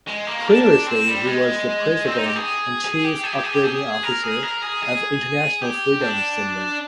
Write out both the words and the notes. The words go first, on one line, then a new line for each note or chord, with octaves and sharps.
Previously, he was the president and chief operating officer of the International Freedom Center.
G#3
A#3
D4
C4
G3
G#3
C4
D#4
G4
G#4
G#4
G4
G#4
G4
G#4
G4
G#4
A#4
G#4
A#4
G#4
G#4
G4
D4